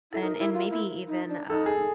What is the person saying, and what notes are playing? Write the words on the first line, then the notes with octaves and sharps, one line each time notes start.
And and maybe even, um,
E4 A4
D#4 A#4
E4
F4
E4
D#4
D4
D#4 A4
G#4